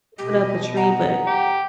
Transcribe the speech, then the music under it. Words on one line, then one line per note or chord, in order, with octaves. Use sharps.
put up a tree, but
B2 G4 D#5
F#5 A#5
G4